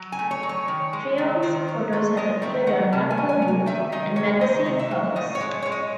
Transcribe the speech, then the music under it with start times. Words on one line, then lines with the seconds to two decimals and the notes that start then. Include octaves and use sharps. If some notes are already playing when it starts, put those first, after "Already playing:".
Truong's photos have appeared on multiple book and magazine covers.
Already playing: F#3
0.12 G#5
0.19 A3
0.31 C#5
0.43 F#3
0.49 C#5
0.68 D#3
0.93 G#3
1.18 D#3
1.42 D#3 C5
1.68 F#3
1.93 A3
2.17 G#3 D#5
2.42 D#3 E5
2.67 D#3 F#5
2.93 C3 A5
3.10 G#5
3.17 F#3
3.29 G#5
3.42 C3
3.48 G#5
3.66 D#3 E5
3.92 D#3 D#5
4.16 C3 C#5
4.41 D#3 D#5
4.66 C3
4.79 E5
4.91 F#3
5.16 A2 D#5
5.35 C#5
5.41 G#3
5.62 G#3 C#5
5.72 D#5